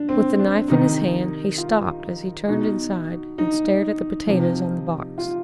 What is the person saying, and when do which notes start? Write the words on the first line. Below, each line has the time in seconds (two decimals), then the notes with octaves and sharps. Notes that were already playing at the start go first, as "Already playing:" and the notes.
With the knife in his hand he stopped as he turned inside and stared at the potatoes on the box.
Already playing: D4
0.09 C4
0.39 D4
0.68 C3 D#3 D#4
1.58 F4
2.48 B2 D#4
3.38 D#4
4.27 C3 F3
5.18 F4